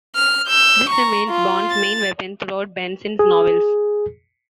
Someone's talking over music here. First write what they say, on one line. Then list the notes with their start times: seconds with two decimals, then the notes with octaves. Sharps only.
This remains Bond's main weapon throughout Benson's novels.
0.16 F6
0.47 E6 G6
0.90 A#5 C#6
1.28 F4
1.71 A6
3.19 G#4